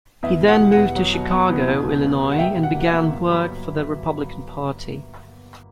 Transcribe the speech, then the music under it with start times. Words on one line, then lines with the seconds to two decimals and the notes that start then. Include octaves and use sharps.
He then moved to Chicago, Illinois and began to work for the Republican Party.
0.23 E2 E5
0.41 E1
0.48 F#5
0.59 E1
0.72 F#5
0.77 E2
0.95 F#3
1.13 B2
1.31 B3
1.50 E2
1.67 B2
1.85 C#2
2.03 C#2
2.21 G3
2.32 F#5
2.39 A#3 E5 G5
2.57 B1
2.63 F#5
2.75 A#3
2.80 F#5
2.88 E5
2.93 A#3
3.11 G1
3.29 F#3 B5